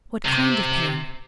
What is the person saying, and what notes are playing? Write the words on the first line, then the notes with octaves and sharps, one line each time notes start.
What kind of pain?
C3